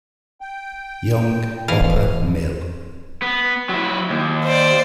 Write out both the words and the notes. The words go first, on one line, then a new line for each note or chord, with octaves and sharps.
Young upper mill.
G5
B2 D3 E3 F5
B3
F#3 E4
D#2
C5 D5